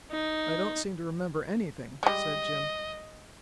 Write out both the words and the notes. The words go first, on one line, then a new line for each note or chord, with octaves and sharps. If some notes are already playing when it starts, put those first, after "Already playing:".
"I don't seem to remember anything," said Jim.
D#4
G3 G#3 D#5